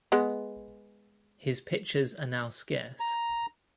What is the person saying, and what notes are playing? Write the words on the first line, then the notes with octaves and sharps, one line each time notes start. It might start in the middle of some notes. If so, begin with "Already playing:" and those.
His pictures are now scarce.
G#3 B3
A#5